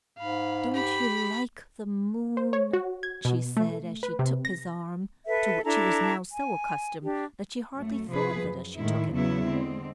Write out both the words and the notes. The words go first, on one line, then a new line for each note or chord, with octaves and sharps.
"Don't you like the moon?" she said, as she took his arm, to which she was now so accustomed that she hardly thought of it as she took it.
G#2 F5 B5
G4 B5
C5
C#5
F#4
G#6
B2
A3
B4
C3
A#6
A4 B4 E5
D4 E4 A4 A#5
G#5
D4 G4
F#2 A3
C3 F3 G#4 B4
F#2
A2 D#3 G#3 E4
E2 C#3 F#3 B3 E4
D3 G#3 C4